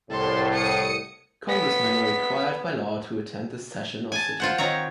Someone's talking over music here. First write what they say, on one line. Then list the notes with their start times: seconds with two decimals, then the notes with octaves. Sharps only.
Congressmen are required by law to attend the session/sitting.
0.10 C2 A2 A4 C6
0.53 D#6 C#7
1.49 B3 B6
4.12 G#5 A5
4.40 F4 C5 F#5
4.58 D#3 C4 C#5 A#5